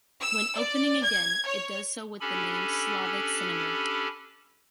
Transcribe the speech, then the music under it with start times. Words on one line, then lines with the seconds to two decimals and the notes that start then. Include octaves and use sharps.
When opening again, it does so with the name Slavic Cinema.
0.22 E6
0.58 D5
1.04 G#6
1.48 C#5
2.21 C#4 D4 G4 A4 G#5 B5